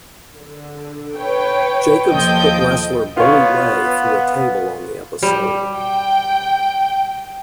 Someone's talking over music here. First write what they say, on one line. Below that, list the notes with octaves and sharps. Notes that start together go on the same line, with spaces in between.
Jacobs put wrestler Bully Ray through a table on the episode.
D3
B4 C#5 G5
D#2 F3 A4 D#5 G5 G6
B3 F4 C#5
G3
G5